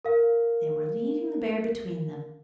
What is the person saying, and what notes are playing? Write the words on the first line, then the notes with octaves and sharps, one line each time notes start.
They were leading the bear between them.
A#4 F5